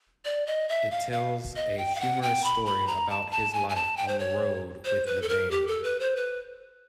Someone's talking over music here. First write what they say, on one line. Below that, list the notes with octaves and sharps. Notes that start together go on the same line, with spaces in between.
It tells a humorous story about his life on the road with the band.
D5
D#5
E5
F5
F5
D#5
G5
F5
F#5
G5
B5
B5
A#5
A5
A5
G#5
G#5
A5
G5
C5
C#5
C5
B4
A4
A#4
G4
A4
B4
C5
B4